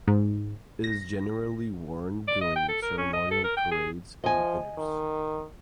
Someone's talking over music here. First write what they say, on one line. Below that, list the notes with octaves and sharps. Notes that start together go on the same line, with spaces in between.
It is generally worn during ceremonial parades and dinners.
G#2
A#6
D5
D#5
G5
A4
A#4
C#4
D#5
A4
A#4
G5
G#4
F3 D#5 G#5
D#3